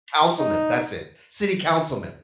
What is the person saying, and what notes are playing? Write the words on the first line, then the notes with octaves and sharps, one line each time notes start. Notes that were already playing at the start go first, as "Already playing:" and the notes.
councilman. That's it, city councilman.
D#4